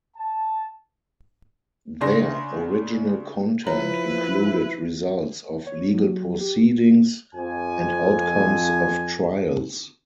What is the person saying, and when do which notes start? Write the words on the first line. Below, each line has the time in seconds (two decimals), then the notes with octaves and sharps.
Their original content included results of legal proceedings and outcomes of trials.
0.17 A5
2.01 C#3 D4 C6 A#6
3.67 F3 E4 B4 C#5 A#5
5.67 C#5
5.94 F#3
6.41 G4
7.35 F2 G#5